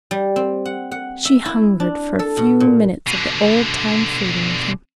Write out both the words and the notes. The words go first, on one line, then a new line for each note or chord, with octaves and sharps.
She hungered for a few minutes of the old-time freedom with him.
G3
C4
F#5
F#5
E5
E4
D4
A4
B2
A#2
B2 D3